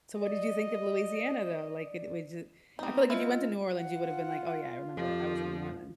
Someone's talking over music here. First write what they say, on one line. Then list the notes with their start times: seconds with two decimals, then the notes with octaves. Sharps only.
So what did you think of Louisiana though, like it was jus I feel like if you went to New Orleans, you would’ve been like, "Oh yeah, I remember I was in New Orleans."
0.20 D5 D#5
2.79 G3 B3 C4 D#4 A#5
3.10 F3 A3 E4 F4 D#5
3.76 F4 F#5
4.97 F2 F3 G4